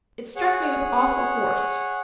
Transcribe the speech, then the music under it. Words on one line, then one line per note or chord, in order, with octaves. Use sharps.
It struck me with awful force.
G#4 C#5 F#5